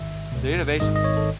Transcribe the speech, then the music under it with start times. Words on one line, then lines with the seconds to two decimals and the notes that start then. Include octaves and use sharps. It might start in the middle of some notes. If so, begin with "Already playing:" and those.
The innovation's
Already playing: A1 G#2 D#3 E5
0.32 C#2 B2
0.80 G#1 G#2 D#3 D#5
0.96 D#5
1.04 C#5
1.17 A4